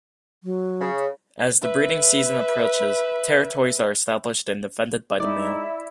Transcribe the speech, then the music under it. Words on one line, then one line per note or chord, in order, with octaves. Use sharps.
As the breeding season approaches, territories are established and defended by the male.
F#3
C#3
B4 E5
G#3 D#4 E4 D5